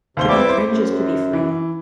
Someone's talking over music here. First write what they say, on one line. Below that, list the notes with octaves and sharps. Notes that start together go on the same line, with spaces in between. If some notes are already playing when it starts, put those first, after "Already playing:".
To be cringe is to be free.
D#2 C3 C5 G7
G3 B3 C4 E4 E5 D6
C5
F#2
E3